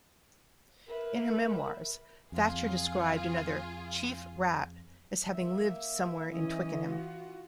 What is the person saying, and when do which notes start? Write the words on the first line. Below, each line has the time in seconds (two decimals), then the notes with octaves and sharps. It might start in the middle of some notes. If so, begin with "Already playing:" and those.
In her memoirs, Thatcher described another "Chief Rat" as having lived somewhere in Twickenham.
0.88 A#4 B4 E5
2.32 F2 F4 G#4 F5
5.32 A#3 E5
6.29 E3 C#4 D#5
6.82 F4 F#4